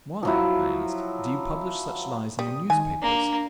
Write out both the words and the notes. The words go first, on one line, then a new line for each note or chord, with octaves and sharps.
"Why," I asked, "do you publish such lies in your newspapers?"
F3 F#3 E4
G3 D#6
D#3 G#5
A#3 D4